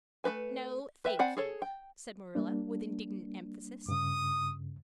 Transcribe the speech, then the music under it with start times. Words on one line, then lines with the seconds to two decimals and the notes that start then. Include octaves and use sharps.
"No, thank you," said Marilla, with indignant emphasis.
0.24 A3 F#4 B4 G#5
1.05 B4 E5 G5
1.19 C4 D5 F#5 G#5 B5
1.37 G#4 A4 C#5
1.62 G5
2.35 G3 A#3 D4
3.88 G2 C#3 D#6